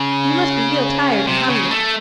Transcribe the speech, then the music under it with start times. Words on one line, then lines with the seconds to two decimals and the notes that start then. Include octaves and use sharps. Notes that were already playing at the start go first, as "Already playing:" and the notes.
You must be real tired and hungry.
Already playing: C#3
1.27 C3
1.49 C#3
1.71 A3